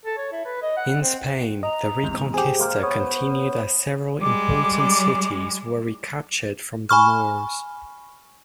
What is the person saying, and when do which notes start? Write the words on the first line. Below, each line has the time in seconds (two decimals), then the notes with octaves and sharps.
In Spain, the Reconquista continued as several important cities were recaptured from the Moors.
0.05 A4
0.18 C#5
0.32 E4
0.45 B4
0.62 D#5
0.77 F#5
1.02 C4
1.63 D#5 A#5
2.04 E2 G#2 C3
2.34 G4 G#4 C5
2.59 G#3 A#3 A#4
2.83 B3 C#5
4.20 G3 G#3 D6
6.89 G#5 B5 C#6 F6